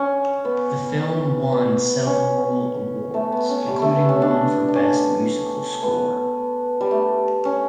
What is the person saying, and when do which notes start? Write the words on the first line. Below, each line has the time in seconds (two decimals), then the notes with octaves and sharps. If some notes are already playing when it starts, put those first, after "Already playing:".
The film won several awards, including one for best musical score.
Already playing: C#4
0.45 B3
1.52 B3
2.06 C#4
3.14 A3
3.32 B3
3.49 C#4
3.68 G3
3.82 A3
3.95 B3
4.09 C#4
4.22 D4
4.68 D4
4.75 C#4
5.83 B3
6.81 G3
6.91 A3
7.45 C#4